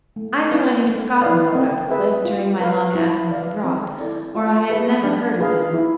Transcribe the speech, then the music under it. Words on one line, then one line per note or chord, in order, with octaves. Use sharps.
Either I had forgotten Lord Uppercliff, during my long absence abroad, or I had never heard of him.
A3
C4 E4 B4 F5
A3
E4 B4 D5 F5
C4
G#4 B4 E5
F4
B4 F5
E4
B4 D5 F5
C4
E4 A4 D5
F4
G#4 B4 E5
D4
F4 G#4 B4 F5
E4